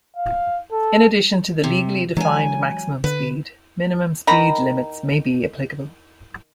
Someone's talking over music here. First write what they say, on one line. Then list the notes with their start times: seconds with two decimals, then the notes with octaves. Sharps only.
In addition to the legally defined maximum speed, minimum speed limits may be applicable.
0.17 F5
0.72 A4
1.64 C3
2.17 E3 F#3 G#3 D4 G#5
3.04 D3 B4
4.27 D#3 A#5 B5